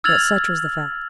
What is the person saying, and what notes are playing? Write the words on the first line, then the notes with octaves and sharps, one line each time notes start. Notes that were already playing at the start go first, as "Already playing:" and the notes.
Yet such was the fact.
E6 F6 G#6 A6 F7 F#7